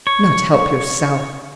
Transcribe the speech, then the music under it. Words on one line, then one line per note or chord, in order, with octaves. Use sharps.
"Not help yourself!"
C#5